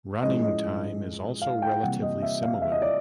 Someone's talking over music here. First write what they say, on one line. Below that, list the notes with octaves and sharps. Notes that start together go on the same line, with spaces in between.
Running time is also relatively similar.
A2 F3 G#3 C#4 D#5
D#5
F5
G5
C3 E3 G3 A#3 F#5
D#5
E5
F5
E5
D#5
D5